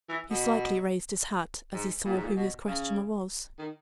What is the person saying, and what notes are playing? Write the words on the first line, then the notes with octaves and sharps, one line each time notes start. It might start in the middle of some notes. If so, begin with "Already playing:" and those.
He slightly raised his hat as he saw who his questioner was.
E3
B2
G#2
A#2
G#2
A#2
B2
C#3
D#3